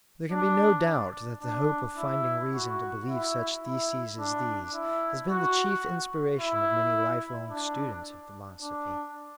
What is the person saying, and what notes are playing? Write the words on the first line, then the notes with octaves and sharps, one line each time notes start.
There can be no doubt that the hope of finding reason to believe such theses as these has been the chief inspiration of many life-long students of philosophy.
D4
D4
E4
F#4
E4
E4
D4
E4
F#4
E4
D4
D4